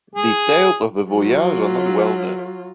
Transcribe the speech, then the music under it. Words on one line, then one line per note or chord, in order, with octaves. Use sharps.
Details of the voyage are not well known.
G#4
F#3 F4